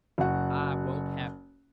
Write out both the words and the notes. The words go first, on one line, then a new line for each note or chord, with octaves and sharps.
I won't have it.
F#1 F#4 F#5